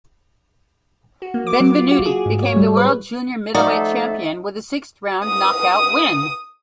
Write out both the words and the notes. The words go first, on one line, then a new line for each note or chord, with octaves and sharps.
Benvenuti became the world junior middleweight champion with a sixth-round knockout win.
F#4
A#3
D6
F#3
F4
F#4
G#4
G#2
C#5
G3
B4
F3 A3 D#4 F#4 A4 D5 E5
D#6